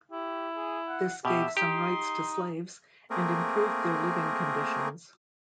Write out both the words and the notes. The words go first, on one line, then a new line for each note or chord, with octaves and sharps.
This gave some rights to slaves and improved their living conditions.
E4 G4
G#4
F#5
B2 G4 E5
D#4 G4 C6
A3 A#3 C4 G#4 A#4